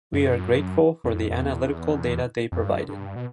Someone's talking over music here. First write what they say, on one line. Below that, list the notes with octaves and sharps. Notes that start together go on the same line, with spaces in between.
We are grateful for the analytical data they provided.
F#2
F2
F2
E2
F2
G2
F#2
G2
B2